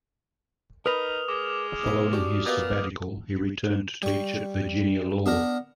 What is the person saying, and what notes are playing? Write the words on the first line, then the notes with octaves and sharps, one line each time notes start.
Following his sabbatical he returned to teach at Virginia Law.
D#4 A#4 B4 B5 D#6 F6 F7
G#3 D6
B1 E5
D4 F#4 G4
A#2 B3 D#5 F5 D#6
G3 C#6
B3 D4 A#4 A#5